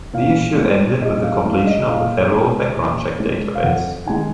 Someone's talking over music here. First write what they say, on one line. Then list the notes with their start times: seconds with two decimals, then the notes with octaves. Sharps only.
The issue ended with the completion of the federal background check database.
0.14 A#2 F5
0.58 G#3
1.02 A#2 D#5
1.23 F5
1.45 G#3 F5
1.67 D#5
1.89 A#2 F5
2.32 G#3
2.76 A#2
3.20 G#3
3.55 F5
3.64 F2 F#5
4.06 D#3 G#3 G#5